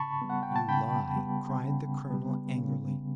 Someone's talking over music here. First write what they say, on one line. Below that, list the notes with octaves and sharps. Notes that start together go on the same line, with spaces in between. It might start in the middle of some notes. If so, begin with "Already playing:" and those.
"You lie!" cried the colonel, angrily.
Already playing: C#3 A5 B5 C#6
G3 B3
F#5
G5
A5
C#3 G5 B5
G3 B3
C#3
G3 B3
C#3